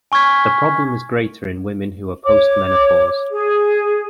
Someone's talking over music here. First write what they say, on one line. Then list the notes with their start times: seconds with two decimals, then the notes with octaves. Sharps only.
The problem is greater in women who are post-menopause.
0.12 G#5 C#6 F6 G#6 B6
2.24 C#5 D6
3.29 G#4